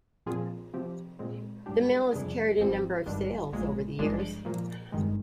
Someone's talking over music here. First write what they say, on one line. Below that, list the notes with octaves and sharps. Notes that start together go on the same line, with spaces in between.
The mill has carried a number of sails over the years.
A#2 F3 C4 F4 G#4
C3 F3 C4 G4
A#2 G#3 C4
G#2 G3 D4 G4
F2 C3 G3 D4 G#4
G#1 G#2 F3 C4
G#1 G2 D#3 G3 D4
A#1 A#2 G#3
G#1 G2 F3 G#3 D4
A#2 F3 A#3
G#1 G2 D#3 G#3